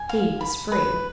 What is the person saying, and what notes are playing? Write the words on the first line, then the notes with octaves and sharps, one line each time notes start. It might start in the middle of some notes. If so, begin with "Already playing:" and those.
He was free.
Already playing: G#5
F5
B5
B4